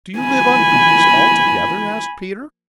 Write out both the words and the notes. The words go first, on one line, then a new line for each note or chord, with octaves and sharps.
"Do you live on bees altogether?" asked Peter.
G#5 B5